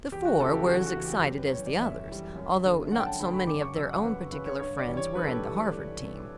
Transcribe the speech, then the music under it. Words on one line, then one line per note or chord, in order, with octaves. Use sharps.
The "Four" were as excited as the others, although not so many of their own particular friends were in the Harvard team.
E2 G4
F#4
C#3 E3 A3 A4
G4
E2 F#4
F#4
C#3 E3 A3
G4
F#2 G4
B4
E3 G3 C#5
D5
F#2 E5
E3 G3
F#2
D3 A3
F#2 F#5
G5
A5
D3 A3 B5
B5
F#2 D6
C#6
C#3 F#3 E6
F#5
F#2 B4
C#3 F#3 B4
C#5
G2 C#5
D5
E3 G3
C#5
G2 B4
A4
G4
E3 G3 A4